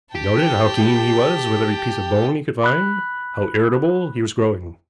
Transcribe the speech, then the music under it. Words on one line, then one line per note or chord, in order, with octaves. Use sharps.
You noted how keen he was with every piece of bone he could find, how irritable he was growing.
G4 G5 A5
B5 F#6